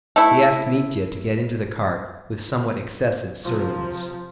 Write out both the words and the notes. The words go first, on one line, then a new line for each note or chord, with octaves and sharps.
He asked Mitya to get into the cart with somewhat excessive surliness.
A3 E4
C3 F3